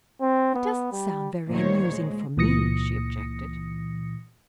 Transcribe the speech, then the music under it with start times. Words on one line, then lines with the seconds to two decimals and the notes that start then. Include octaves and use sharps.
"It doesn't sound very amusing for me," she objected.
0.21 C4
0.55 B3
0.92 G3
1.51 D2 A#2 D#3 C5 C#5
1.89 G#3
2.37 C#2 A#2 E3 D#6 A#6 C#7